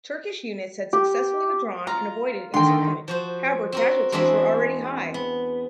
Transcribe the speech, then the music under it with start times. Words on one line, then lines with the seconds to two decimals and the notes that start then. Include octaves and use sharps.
Turkish units had successfully withdrawn and avoided encirclement, however casualties were already high.
0.93 G4
1.87 F4 A#5
2.54 D3 D#3 G5 C6
3.08 F3 F#4 C5
3.72 C4 F#4 A#4
4.12 E2 G#3 C4 D4 F#4 E5
5.14 B3